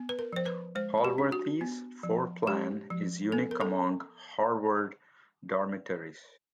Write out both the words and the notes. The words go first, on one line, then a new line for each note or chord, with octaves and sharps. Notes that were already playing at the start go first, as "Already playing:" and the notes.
Holworthy's floorplan is unique among Harvard dormitories.
Already playing: B3
B4
A#4
F3 C5
B4
G#3 C5
G4
D4
F#4
B3
F3
G#3 G4
F3
B3 A4
A#4
A4